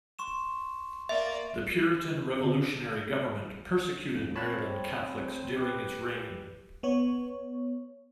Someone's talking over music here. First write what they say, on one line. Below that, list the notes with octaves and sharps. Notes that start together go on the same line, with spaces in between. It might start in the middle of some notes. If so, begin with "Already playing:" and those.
The Puritan revolutionary government persecuted Maryland Catholics during its reign.
C6 C#6 E7
A#3 D5 E5
D3
A1 F2 F3
C4 C#5 A5 B5
G4 B4
B3 C#5